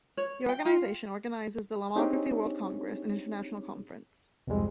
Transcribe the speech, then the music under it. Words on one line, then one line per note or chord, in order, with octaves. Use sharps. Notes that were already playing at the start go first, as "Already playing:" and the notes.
The organisation organises the Lomography World Congress, an international conference.
C#5
G5
F4
C4 D4 D#4 G4 G#4 C#5
C2 F2 G#2 G3 G#3 C4